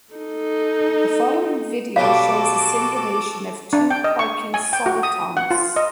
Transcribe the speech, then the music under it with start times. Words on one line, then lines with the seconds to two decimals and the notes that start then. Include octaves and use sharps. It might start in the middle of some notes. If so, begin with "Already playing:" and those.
The following video shows a simulation of two parking solitons.
0.14 D#4 A4
1.96 B2 F#3 G3 F#4 A4 F5 D6
3.73 D4
3.90 G5
4.04 D#5
4.19 C#6
4.54 G#5
4.73 G5
4.86 F#4
5.03 D#6
5.37 F#5
5.51 F4
5.76 D#5